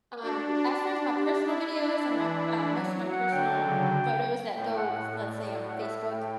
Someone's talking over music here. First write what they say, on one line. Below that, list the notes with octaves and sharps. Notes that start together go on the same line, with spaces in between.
um, as far as my personal videos, and my, uh, most of my personal photos that go, let's say on Facebook,
D4 F#4
G4
D4 F#4
D4
G4
E4
D4
E3
F#3
F#5
D3 G5
C#3
A2 G5
F#5
F#5
D5
F#5
E5
G5